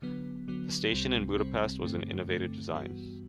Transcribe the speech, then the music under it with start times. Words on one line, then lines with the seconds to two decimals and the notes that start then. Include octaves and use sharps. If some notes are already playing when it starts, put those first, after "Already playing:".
The station in Budapest was an innovative design.
0.02 D3 F#3 B3
0.48 D3 F#3 B3
0.92 C2 C3 G3 C4
1.38 C2 C3 G3 C4
1.83 G2 D3 A3 C4
2.29 G2 D3 A3 C4
2.74 G2 E3 G3 B3 F#4